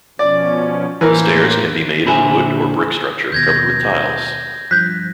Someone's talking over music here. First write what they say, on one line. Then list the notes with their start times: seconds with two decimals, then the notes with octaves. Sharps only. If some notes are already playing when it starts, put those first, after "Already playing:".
The stairs can be made of wood or brick structure covered with tiles.
0.19 B2 F3 C#4 D5
1.01 A2 E3 A#3 A#4 C5
2.05 A#2 D3 E4 C5 E5 G#5
3.32 D#2 B2 G6 G#6 A#6
4.71 G2 F3 F#6 G6 B6